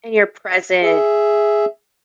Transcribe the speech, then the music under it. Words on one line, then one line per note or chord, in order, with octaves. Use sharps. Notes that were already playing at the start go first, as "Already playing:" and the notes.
And your present.
G#4 E5